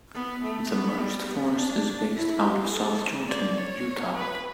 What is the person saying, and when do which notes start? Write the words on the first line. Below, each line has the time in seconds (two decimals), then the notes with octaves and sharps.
The merged forest is based out of South Jordan, Utah.
0.15 B3
0.43 A3
0.72 B3
1.00 G3
1.29 B3
1.57 D4
2.15 E4
2.43 G4
2.72 A4
3.29 D5
3.58 C#5
4.15 B4